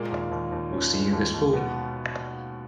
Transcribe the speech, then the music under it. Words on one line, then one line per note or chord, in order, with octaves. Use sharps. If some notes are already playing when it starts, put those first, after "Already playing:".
We'll see you this Fall!
Already playing: A#2 G#3 A#3
D#2
D#2
D#2
C#4
G#3
D#2
D#2
B2 B3